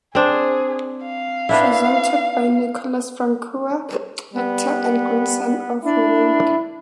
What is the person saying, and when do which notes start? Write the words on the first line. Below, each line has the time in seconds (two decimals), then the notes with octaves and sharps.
Presented by Nicholas Frankau, actor and grandson of Ronald.
0.15 C4 D4 G#4
1.05 F5
1.49 B3 D4 E4
4.34 G3 B3
5.84 D4 E4